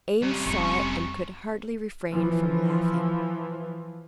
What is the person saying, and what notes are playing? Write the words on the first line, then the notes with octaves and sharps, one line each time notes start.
Eames saw it, and could hardly refrain from laughing.
C3 G3 C#4
F1 C#6
E3 F3